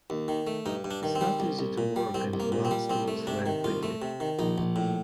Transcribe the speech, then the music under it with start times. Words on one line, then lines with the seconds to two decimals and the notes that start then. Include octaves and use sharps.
It is not easy to work and blunts tools very quickly.
0.10 D#2
0.28 D#3
0.47 A3
0.66 G2 D#4
0.84 G2
0.91 D4
1.03 D#3
1.15 C4
1.21 G3
1.40 C2
1.59 C2
1.78 A#2
1.96 G3
2.14 C2 C4
2.33 C2
2.40 A#3
2.52 A#2
2.65 C4
2.71 G3
2.90 C2 C4
3.08 A3
3.27 C3 D4
3.46 D#3
3.64 C2 F4
3.83 A3
4.02 C3
4.20 D#3
4.39 A#1 D#4
4.58 A#1
4.76 A2